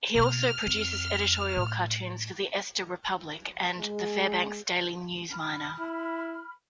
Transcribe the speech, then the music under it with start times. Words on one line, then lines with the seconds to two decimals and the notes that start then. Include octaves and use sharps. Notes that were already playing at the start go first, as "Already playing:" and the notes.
He also produces editorial cartoons for "The Ester Republic" and the "Fairbanks Daily News-Miner".
0.15 B2 A#3 F6
0.67 F2
1.57 A2
3.80 G#3
5.32 B5 F6
5.79 E4